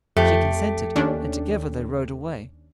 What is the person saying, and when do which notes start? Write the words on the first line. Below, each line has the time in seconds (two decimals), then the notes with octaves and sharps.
She consented, and together they rode away.
0.17 F2 A3 G4
0.96 D#2 C#4 D4